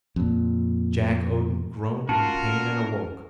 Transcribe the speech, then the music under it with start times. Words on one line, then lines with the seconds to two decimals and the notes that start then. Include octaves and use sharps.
Jack Odin groaned in pain and awoke.
0.16 F2 A#2
2.09 C#4 F4 F#4 A#4 A5